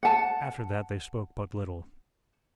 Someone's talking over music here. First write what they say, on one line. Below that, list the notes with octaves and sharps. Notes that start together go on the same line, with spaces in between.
After that they spoke but little.
F#5 A5